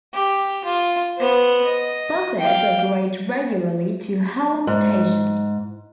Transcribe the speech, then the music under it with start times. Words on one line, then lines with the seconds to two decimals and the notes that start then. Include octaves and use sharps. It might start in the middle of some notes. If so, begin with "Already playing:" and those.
Buses operate regularly to Hallam station.
0.14 G4
0.65 F4
1.18 B3 C5
1.65 D#5
2.39 F5 G5
4.67 G#2